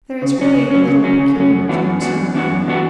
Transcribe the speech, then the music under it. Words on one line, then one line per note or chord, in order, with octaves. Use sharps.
There is really little peculiar to observe.
C#3
F#3 C#4
C#3
F#3 C#4
C#3
F#3 C#4
C#3
F#3 C#4
F#2
E3 B3 D4 F#4
F#2
E3 B3 D4 F#4
F#2
E3 B3 D4 F#4
F#2
E3 B3 D4 F#4